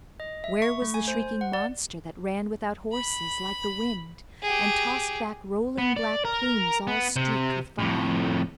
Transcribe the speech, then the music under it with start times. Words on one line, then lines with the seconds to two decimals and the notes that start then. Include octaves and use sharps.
Where was the shrieking monster that ran without horses like the wind and tossed back rolling black plumes all streaked with fire?
0.20 D#5
0.44 E5
0.62 C#6
0.82 A3
0.94 G#5
1.08 C5
1.41 F#5
1.53 D5
2.93 B5
4.42 G4 G#4
5.78 B3
5.96 D5
6.25 A#4
6.87 B3
7.16 C3
7.79 F2 A2